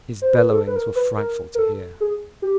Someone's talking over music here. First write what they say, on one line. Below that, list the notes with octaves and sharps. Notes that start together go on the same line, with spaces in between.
His bellowings were frightful to hear.
C5
B4
G#4
A4
B4
A#4
B4
A#4
A#4
A4
G#4
G4